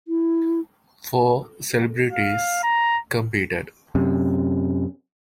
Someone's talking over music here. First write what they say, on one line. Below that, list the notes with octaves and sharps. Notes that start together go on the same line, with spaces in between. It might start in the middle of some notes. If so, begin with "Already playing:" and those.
Four celebrities competed.
E4
F5
A#5
F#2 C3